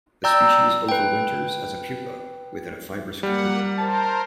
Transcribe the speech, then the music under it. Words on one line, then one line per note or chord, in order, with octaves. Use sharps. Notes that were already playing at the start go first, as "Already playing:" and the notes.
The species overwinters as a pupa within a fibrous cocoon.
D5 G5 A#5 E6 G6
B4 G5
G3 A#3 F#5
A#4 C5 A5